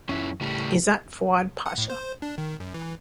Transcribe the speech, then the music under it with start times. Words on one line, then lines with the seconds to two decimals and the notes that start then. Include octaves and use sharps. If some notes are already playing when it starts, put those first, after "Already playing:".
Izzat Fuad Pasha.
0.09 F#2 E3 C#4 E5
0.41 A2 C#3 G3
1.66 F#5
1.78 A2
1.90 C5
2.22 D4
2.38 D#3
2.60 F#2
2.74 E3